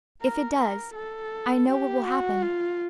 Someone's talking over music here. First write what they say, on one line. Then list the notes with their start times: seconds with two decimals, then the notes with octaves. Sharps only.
If it does, I know what will happen.
0.22 A#4
0.58 A#4
0.95 A4
1.69 G4
2.05 F#4
2.42 F4